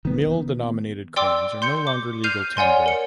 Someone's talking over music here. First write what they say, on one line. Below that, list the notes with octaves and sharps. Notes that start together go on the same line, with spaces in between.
Mil-denominated coins are no longer legal tender.
D#3 B3
D5 G5 C6 D6 E6
C6 G6 C#7
D6
F6 G6 C7 D#7 F7
C#5 D5 F#5 G#5 C6
A#4 C#7